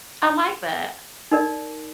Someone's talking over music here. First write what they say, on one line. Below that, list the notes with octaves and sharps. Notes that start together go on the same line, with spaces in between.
I like that.
D#4 A#4 D5